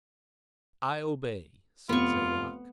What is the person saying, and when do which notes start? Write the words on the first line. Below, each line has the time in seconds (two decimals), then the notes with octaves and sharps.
"I obey," said Zadok.
1.89 F1 B3 F4 C#6